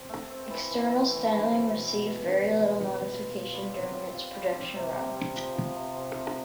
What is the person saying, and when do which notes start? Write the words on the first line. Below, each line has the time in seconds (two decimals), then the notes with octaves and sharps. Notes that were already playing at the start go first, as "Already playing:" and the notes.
External styling received very little modification during its production run.
Already playing: C4
0.09 A3
0.30 C4
0.50 E3
0.71 E3
0.91 E3
1.11 A3
1.32 E3
1.51 B2
1.71 B2
1.92 B2
2.12 B2
2.33 B2
2.52 B2
2.73 B2
2.93 G#3
3.13 F4
3.33 F4
3.54 G3
3.74 C4
3.94 F4
4.14 F4
4.34 G3
4.55 C4
4.75 C3
4.95 C3
5.15 C3
5.36 F3
5.55 F3
5.76 C3
5.96 C3
6.16 C3